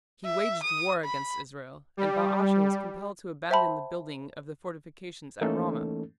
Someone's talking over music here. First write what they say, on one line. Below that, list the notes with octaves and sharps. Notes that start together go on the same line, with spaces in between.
He waged war against Israel, and Baasha was compelled to abandon the building of the fortifications at Ramah.
E5
D#6
B5
G3
C5 E5 G5 A5 B5 C6
E3 A3 A#3 C#4 D#4 A4